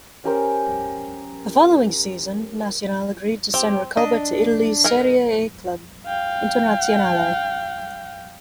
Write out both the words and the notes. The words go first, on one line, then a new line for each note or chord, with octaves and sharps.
The following season, Nacional agreed to send Recoba to Italy's Serie A club Internazionale.
C#4 G4 A#4 C5
C4 G4
D4 D#5
D#4 G#4 A#4
F5 G5